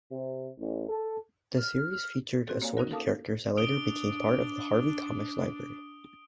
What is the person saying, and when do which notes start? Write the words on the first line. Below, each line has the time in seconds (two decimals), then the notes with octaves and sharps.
The series featured assorted characters that later became part of the Harvey Comics library.
0.11 C3
0.58 A1
0.88 A4
1.58 F6
2.47 C4 F#4 G4 A4
2.62 A#3 C#5 D5 F5 G#5
2.77 C#4 D#4 F#4 A#4
2.91 A4 A#4 F5 A5 D6 D#6
3.57 D4 D#6 D7 G7